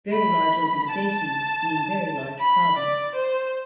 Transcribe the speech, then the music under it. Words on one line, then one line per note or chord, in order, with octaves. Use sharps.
Very large organizations mean very large problems.
B5
A5
B5
D5
C5